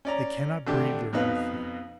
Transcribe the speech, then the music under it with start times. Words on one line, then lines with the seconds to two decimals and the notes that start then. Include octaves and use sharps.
They cannot brave their own fear.
0.05 C#4 D5 A#5
0.67 G#1 D3 A3 D4 G4 A5
1.13 F2 B2 D#4 B4 F5